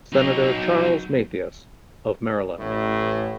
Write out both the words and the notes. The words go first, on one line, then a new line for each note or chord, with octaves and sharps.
Senator Charles Mathias of Maryland.
F#3 D#4
A1 A2